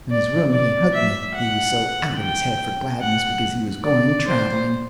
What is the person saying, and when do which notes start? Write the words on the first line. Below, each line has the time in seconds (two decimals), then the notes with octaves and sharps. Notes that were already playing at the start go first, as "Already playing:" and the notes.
Up in his room he hugged me, he was so out of his head for gladness because he was going traveling.
0.10 D5
0.52 D5
0.94 E5
1.35 F#5
2.18 G5
3.01 F#5
3.84 D5
4.26 C5